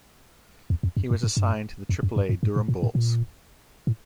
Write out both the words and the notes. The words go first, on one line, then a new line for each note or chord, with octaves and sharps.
He was assigned to the Triple-A Durham Bulls.
E2
F2
F#2
G2
G#2
G2
F2
F#2
G2
G2
G#2
A2
A#2
A2
A#2
A2